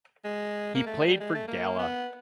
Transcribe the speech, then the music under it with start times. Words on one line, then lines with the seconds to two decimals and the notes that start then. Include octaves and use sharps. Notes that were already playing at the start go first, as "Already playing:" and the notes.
He played for Gala.
0.24 G#3
0.75 A#3
0.86 A3
1.06 G3
1.20 G#3
1.34 A3
1.48 A#3
1.78 B3